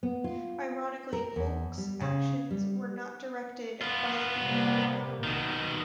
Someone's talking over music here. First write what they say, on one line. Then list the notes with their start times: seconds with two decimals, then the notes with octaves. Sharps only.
Ironically, Polk's actions were not directed by the Confederate government.
0.03 B3
0.24 F4
1.13 A#4
1.36 E2
1.78 G3
2.01 C#3
2.51 G3
3.81 B3 F4
4.40 C3 G3 A#3
5.24 C2 B2 D#3